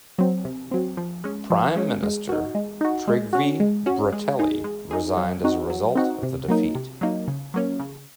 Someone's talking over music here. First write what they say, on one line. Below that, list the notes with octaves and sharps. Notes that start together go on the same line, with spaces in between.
Prime Minister Trygve Bratteli resigned as a result of the defeat.
F#3 C4
C3
F#3 C4
F3
G#3 C#4
F3
G#3 C#4
G#3
D#4 F#4
G#3
D#4 F#4
G#3
C#4 F#4
G#3
C#4 F#4
G#3
D#4 G#4
G#3
D#4 G#4
F#3
C4 D#4 F#4
F#3
C4 D#4 F#4
C3
F#3 A#3 D#4
C3
F#3 A#3 D#4
C#3
F#3 A#3 C#4
C#3